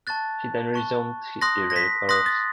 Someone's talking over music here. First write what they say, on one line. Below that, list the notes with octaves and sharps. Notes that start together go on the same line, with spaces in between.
He then resumed his earlier course.
A5 C#6 F#6 A6
A5 C#6 F#6
C6 D#6 F#6 A#6
A#6
B6
C6 D#6 F#6 A#6
A6